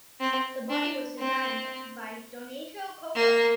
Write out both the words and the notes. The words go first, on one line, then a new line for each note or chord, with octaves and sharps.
The body was designed by Donato Coco.
C4
D4
C4
A#3